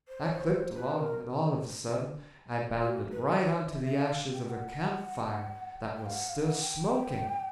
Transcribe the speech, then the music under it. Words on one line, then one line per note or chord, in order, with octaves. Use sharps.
I clipped along, and all of a sudden I bounded right on to the ashes of a camp fire that was still smoking.
C5
C#5
C5
B4
A#4
F4
F#4
B4
A#4
C5
C#5
E5
E5
F5
G5
F#5
G5
F5
F#5
F5
F#5
G5